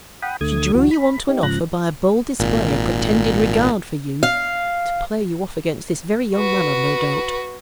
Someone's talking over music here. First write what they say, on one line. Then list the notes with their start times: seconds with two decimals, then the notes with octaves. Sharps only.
She drew you on to an offer, by a bold display of pretended regard for you,--to play you off against this very young man, I've no doubt.
0.22 F#5 G5 B5 D#6
0.41 D2 D3 A3 D#6 G#6
0.74 D2 E3 F#3 F#4
0.91 B5
1.29 C4 D#4 G4
1.43 G#2 C#3 F3 F#6 A#6
2.39 G#1 A#2
4.23 F5
6.35 F#4 B4